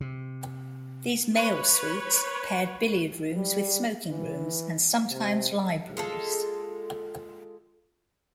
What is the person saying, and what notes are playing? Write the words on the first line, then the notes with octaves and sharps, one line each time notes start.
These male suites paired billiard rooms with smoking rooms and sometimes libraries.
C3
B4 C#5
G3
E3
C3
G#3 F4 A4